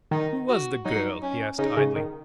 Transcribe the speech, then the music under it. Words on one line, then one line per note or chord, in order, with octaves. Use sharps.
"Who was the girl?" he asked idly.
D#3 D#4
F#4
F#3 D#4
C#4
C#3 D#4
C#3
D#3